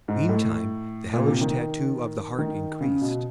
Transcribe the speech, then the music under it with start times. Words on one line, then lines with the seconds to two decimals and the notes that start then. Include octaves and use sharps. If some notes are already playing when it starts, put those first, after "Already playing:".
Meantime the hellish tattoo of the heart increased.
0.08 G#2
0.29 A2
1.13 A#2
1.27 C3
1.41 D#3
2.38 D#3
2.81 C#3
3.01 B2